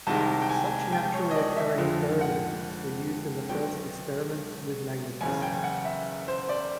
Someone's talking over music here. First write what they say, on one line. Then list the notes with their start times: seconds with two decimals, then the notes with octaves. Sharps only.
Such naturally occurring ferromagnets were used in the first experiments with magnetism.
0.07 C2 C3 D#3 G#3 A5
0.42 G5
0.49 G#5
0.92 G5
1.14 C#5
1.31 D#5
1.36 D5
1.56 E5
1.78 F2 D3 F3 G#3
2.21 F#5
3.49 B1 B2 G#3 G5
5.21 F#1 E2 C#3 G#5
5.42 G5
5.64 F#5
5.85 E5
6.28 C5
6.49 D5